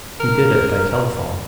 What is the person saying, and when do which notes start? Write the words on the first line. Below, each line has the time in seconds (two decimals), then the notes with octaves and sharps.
He did it by telephone.
0.20 A#4